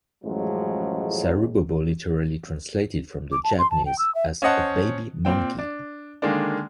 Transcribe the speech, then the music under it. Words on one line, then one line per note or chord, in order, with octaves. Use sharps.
Sarubobo literally translated from the Japanese as "a baby monkey".
A1 F#2 A2 F3 F#3 G#3
D6
A5
C6
A5
G5
E6
E5
C#4 C5 D#5 F#5 A5
A#2 C4 G5
D4
D3 D#3 G#3 A#3 D4